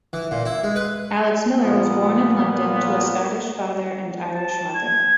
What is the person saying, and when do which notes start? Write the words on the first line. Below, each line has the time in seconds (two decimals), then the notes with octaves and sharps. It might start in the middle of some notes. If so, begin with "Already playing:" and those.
Alex Miller was born in London to a Scottish father and Irish mother.
0.13 E3
0.31 A#2
0.45 E4
0.64 G#3
0.76 B4
1.62 A#2 F3 A#3 B3
4.34 A5
4.75 G#6